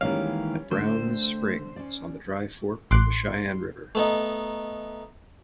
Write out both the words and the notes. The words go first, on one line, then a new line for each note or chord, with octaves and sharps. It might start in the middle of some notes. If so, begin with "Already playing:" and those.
At Brown's Springs, on the dry fork of the Cheyenne River.
D#3 E3 G3 G#3 A#3 C#4 F5
D3 A3 C5 G5
C#4 D5
A1 C6 D6 F#6
A3 B3 D#4